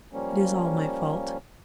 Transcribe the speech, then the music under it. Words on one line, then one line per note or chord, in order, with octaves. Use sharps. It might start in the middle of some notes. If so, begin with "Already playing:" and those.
It is all my fault.
F3 G3 A#3 C#4